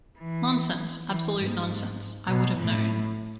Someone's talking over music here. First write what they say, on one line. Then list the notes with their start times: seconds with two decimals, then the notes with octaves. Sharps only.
Nonsense, absolute nonsense: I would have known.
0.18 E3
1.08 E3
1.39 G#2
2.28 B2
2.59 A2